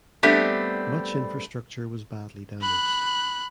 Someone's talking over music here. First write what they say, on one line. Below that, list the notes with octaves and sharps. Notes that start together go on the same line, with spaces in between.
Much infrastructure was badly damaged.
G3 A3 B3 C4 D4 G4
B5 F#6